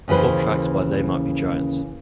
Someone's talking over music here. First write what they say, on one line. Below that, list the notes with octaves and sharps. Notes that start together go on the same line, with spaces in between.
All tracks by They Might Be Giants.
D#2 C#3 E3 B4 C5